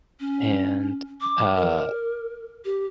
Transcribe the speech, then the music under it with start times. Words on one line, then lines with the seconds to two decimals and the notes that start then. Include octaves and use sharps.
and, uh
0.20 C#4
1.21 D6
1.56 A#4
2.65 G4